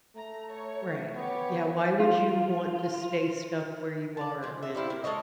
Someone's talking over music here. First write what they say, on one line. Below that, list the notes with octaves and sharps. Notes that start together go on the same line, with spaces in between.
Right. Yeah, why would you want to stay stuck where you are when
A3 A#5
C#5
B3 G4 C#5
F4
D5 A5
F3 G#3
E5
G3 C4 E4 F5
A#3
G#3 A4 C#5 D#5